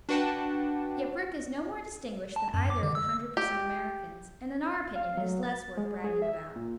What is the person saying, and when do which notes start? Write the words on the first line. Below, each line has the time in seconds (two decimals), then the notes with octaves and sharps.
Yet Brick is no more distinguished than either of the hundred percent Americans, and in our opinion is less worth bragging about.
0.09 D4 F#4 B4 F#5 G5 A5
2.36 A5
2.54 F#2
2.70 D6
2.83 D3
2.95 E6
3.37 G4
4.95 F5
5.17 F#3
5.43 A6
5.77 G#3
6.04 G#4
6.22 E5
6.56 A#2